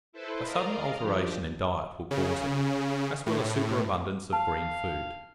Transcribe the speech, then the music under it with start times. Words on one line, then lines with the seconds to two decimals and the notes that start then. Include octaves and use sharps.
A sudden alteration in diet will cause it, as will a superabundance of green food.
0.13 E4 A4 B4 C5
0.43 A#4 D5 D#5 F5 A#5
0.99 F3 D4 G4
2.11 C#3
3.26 A2
4.33 F5 A5